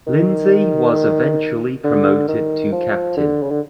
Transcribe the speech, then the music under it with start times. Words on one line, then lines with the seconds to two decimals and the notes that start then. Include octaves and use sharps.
Lindsay was eventually promoted to captain.
0.07 D#3
1.84 D3
2.28 D#3
2.72 F3
3.17 D3
3.43 C#3
3.51 D3